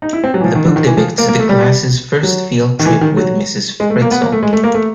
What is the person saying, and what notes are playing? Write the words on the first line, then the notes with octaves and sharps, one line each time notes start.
The book depicts the class's first field trip with Ms. Frizzle.
D#4
E4
C4
F#3
E3
F3
D#3
D3
D#3
E3
F3
A#3
A#3
A3
G3
F#3
D#3
E3
D#3
F#3
G#3
A3
A#3
B3
A#3
A3
G#3
A3
A#3
A3